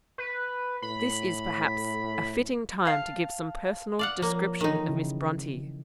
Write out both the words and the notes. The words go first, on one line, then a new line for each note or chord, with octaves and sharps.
This is perhaps a fitting time to give some personal description of Miss Bronte.
B4
A2 B5
F5 A5
D5 F5 F#5
F3 A#3 C#5
D#3 E3 D#4 A4 D#5
C#3 E4